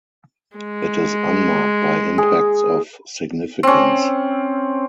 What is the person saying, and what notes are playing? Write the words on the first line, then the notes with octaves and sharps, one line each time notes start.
It is unmarked by impacts of significance.
G#3
G#4
C4 C#4